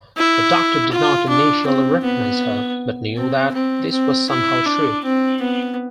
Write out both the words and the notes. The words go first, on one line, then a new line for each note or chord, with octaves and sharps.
The Doctor did not initially recognise her, but knew that this was somehow true.
E4
F4
D4
C4
B3
C4
C4
C4
E4
D4
C4
B3